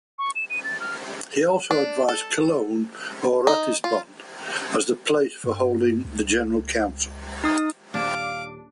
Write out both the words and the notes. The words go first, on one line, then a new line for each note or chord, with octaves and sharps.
He also advised Cologne or Ratisbon as the place for holding the General Council.
C#6
E7
D#7
A6
F6
D4
A4
D#4
F4
G2
C#2
D#4 D#6
D#1 D4 F5 D6